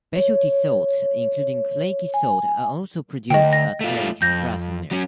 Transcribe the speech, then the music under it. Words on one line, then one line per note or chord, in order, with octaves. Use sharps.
Specialty salts, including flaky salt, are also produced at Lake Grassmere.
C#5
G#5
D2 D#5 G5
A#6
A3 F4
F2 G6 A#6
F#3 C#4